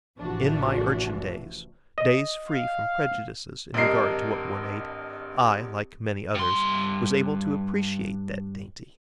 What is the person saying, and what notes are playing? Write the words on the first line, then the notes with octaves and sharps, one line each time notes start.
In my urchin-days, days free from prejudices in regard to what one ate, I, like many others, was able to appreciate that dainty.
A1 A2 C3 E3 F3 D4 F#4
D#5
F5
G#1 G2 D4 A#4 D#5 C7
G2 C6